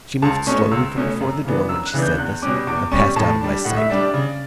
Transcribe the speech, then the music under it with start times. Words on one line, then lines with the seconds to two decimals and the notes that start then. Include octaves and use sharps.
She moved slowly from before the door when she said this, and passed out of my sight.
0.22 C#2 A5
0.47 B2 A3 C#4 C#6
0.71 C#2 E6
0.96 B2 A3 C#4
1.20 F#2
1.45 C#3 E3 B3 D4
1.69 F#2 E6
1.86 F#6
1.93 C#3 E3 B3 D4
2.02 G6
2.18 E2 F#6
2.42 B2 G3 C#4 D6
2.67 E2 D6
2.91 B2 G3 C#4 C#6
3.16 A2 A5
3.41 G3 D4
3.65 A2 F#5
3.77 E5
3.90 G3 D4
4.02 D5
4.14 C#3